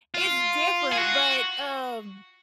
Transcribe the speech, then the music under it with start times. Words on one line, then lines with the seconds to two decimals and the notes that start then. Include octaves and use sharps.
It's different, but, um
0.14 F4
0.91 G#4
0.97 F#4